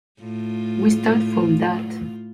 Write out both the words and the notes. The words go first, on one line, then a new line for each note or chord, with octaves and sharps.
We start from that.
A2 F4